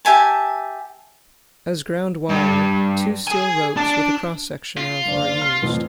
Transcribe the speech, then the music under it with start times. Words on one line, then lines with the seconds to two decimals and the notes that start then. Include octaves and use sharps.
As ground wire two steel ropes with a cross section of are used.
0.05 G4 E5 G#5 A5
2.30 G2
3.27 G#4 G#5
3.76 D4 A5
4.77 F4
5.05 F#1 D4
5.41 F6
5.62 F2 A2 E3